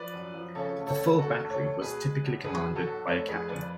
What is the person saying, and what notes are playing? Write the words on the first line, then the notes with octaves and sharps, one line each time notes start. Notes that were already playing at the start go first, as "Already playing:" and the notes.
The full battery was typically commanded by a captain.
Already playing: F3 B4 D5
F#2
F3
C#3 A4 C#5
D2
A4 C#5
D2
D2 F#4 A4
D2
A4 C#5
D2
B2 G#4 B4
G#3
B1
B1 G#4 B4
B2
F#4 A4
B1
F1 A4 C#5
F2 G#4 B4
F2 B4 D5